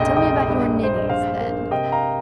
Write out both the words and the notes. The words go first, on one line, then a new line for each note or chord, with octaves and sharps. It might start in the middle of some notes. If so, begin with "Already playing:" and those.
"Tell me about your ninnies, then."
Already playing: F1 A#1 D#5 G5
A#1 D#5 G5
G2
G2 C5
D#5
A#1 C5 F5
A#3
C3 D#5 G5
F5 A#5